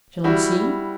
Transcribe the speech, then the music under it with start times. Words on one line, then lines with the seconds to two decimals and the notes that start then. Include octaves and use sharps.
"Shall I see?"
0.24 G3 E4 F#4
0.56 G3